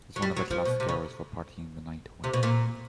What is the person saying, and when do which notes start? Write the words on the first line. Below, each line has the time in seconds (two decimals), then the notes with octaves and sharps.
It's one of the classic areas for partying the night away.
0.16 F#3
0.22 G3
0.37 F#3
0.51 F3
0.65 B2
0.80 C3
0.89 C#3
2.24 C3
2.33 B2
2.43 A#2